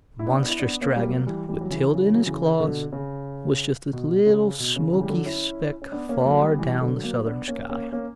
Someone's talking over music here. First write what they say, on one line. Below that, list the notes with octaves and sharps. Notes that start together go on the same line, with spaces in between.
The monstrous dragon with Tilda in his claws was just a little smoky speck far down the southern sky.
E4
B3 D4
E4
B3 D4
A#3 C#4
G3
F#3 A#3
E3 G3
E3 G3
F#3
C#3 E3
C#3 E3
F#3
C#3 E3
B2 D3
C#3
B2
C#3
B2
C#3
C#3 E3
G3
D3 F#3
C#4 E4
C#4
B3 D4
A#3 C#4
F#3 A#3
G3 B3
E3 G3
D3 F#3
F#3 A#3
B3 D4
A#3 C#4
A#3 C#4
A#3 C#4